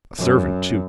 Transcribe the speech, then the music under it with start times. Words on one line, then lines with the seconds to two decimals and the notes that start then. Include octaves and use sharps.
A servant too.
0.18 F#2